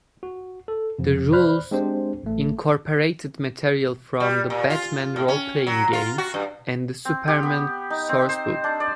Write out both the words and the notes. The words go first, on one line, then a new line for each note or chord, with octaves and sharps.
The rules incorporated material from the "Batman Role-Playing Game" and the "Superman Sourcebook".
F#4
A4
F2 C3
C5 D5 B5 F6 F#6
G#3 C4 D4 G4 C5
A1 A3
G3
A#2
F4
A2
C#4
F#3
F4
F#4
G2
C4
G4
B3
D#4
C4
C5
D4
D5